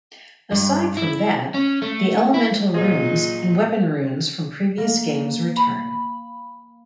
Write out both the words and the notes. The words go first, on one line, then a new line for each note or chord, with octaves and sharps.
Aside from that, the elemental runes and weapon runes from previous games return.
G2
E4
C#4
A3
E4
A#2 F#3 D#4 F4 G#4 D#5
A#3
B5